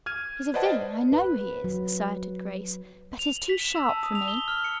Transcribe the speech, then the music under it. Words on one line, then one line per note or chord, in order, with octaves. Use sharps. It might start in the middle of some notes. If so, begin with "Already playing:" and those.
"He's a villain, I know he is," asserted Grace, "but he's too sharp for me."
F6 G#6 D#7
B4 C5 D5 D#5 F#5 A5
B4
F#3
F7
F#7
B6
E7
E6
A5
D#6
F7
G7
F6
C#7